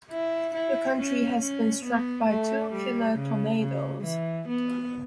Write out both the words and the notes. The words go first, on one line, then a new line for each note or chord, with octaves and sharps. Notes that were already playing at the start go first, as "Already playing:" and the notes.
The county has been struck by two killer tornadoes.
E4
E4
C#4
C#4
B3
A3
G3
C#3
C#3
E3
B3